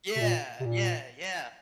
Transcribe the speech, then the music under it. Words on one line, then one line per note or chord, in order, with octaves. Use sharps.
Yeah. Yeah, yeah.
C3
A#2
C3
A#2